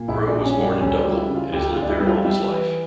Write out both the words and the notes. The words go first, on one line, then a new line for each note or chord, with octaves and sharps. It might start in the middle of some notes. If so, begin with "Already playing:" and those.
Crowe was born in Dublin and has lived there all his life.
Already playing: A#2
A#1 E4
D4
A#1
C#4
G3
D4
D2 C#4
D4
G3 F4
E4
C#3
F4
D2 G4
F4
D2
D4
E4
G3
F4
G3 E4
E3